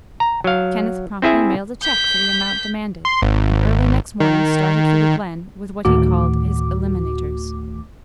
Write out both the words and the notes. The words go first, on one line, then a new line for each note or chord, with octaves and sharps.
Kenneth promptly mailed a check for the amount demanded and early next morning started for the glen with what he called his "eliminators."
A#5
F#3 F5
C4 E4 G#4 E5
G6 B6
C6
G#1
D#3
D2 A2 D#3 A3 F#4 D6